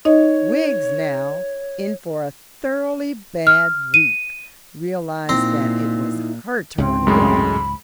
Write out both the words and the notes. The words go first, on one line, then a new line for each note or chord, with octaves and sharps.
Wiggs, now in for a thoroughly bad week, realised that it was her turn again.
D#4 C#5 D#5
F6
D#7
A#2 C4 D#4 E4 A#5 C6
C#2 G#2 C3 C4
F#2 A2 G#3 B5